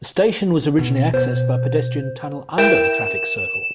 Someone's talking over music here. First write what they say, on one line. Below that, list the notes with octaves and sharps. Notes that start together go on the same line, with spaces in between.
The station was originally accessed by a pedestrian tunnel under the traffic circle.
B2
B2 C5
E4 A#4 G5 E7